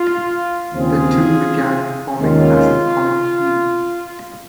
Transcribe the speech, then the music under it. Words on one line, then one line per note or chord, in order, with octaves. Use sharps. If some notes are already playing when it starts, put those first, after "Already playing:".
The two began performing as a comic team.
Already playing: F4
D#2 C#3 F3 C4 F4 G#4
D#2 D#3 G#3 C#4 F4